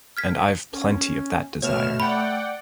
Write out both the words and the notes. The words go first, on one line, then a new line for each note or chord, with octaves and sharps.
And I've plenty of that desire.
F6 G#6 B6
C#4
B2 A3 C#5 F6 E7
D5 F#5 G5 B5